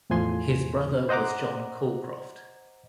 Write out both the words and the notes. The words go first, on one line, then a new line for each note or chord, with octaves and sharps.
His brother was John Calcraft.
E2 A2 F3 G#5 C6
C5 D#5 F#5 A#5 D6